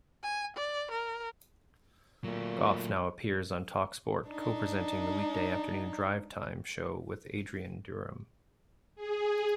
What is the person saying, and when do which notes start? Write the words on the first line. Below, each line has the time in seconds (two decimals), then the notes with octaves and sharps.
Gough now appears on Talksport, co-presenting the weekday afternoon drivetime show with Adrian Durham.
0.23 G#5
0.57 D5
0.92 A#4
2.24 A#2 F#3 A3
4.29 D4 D#4
8.95 G#4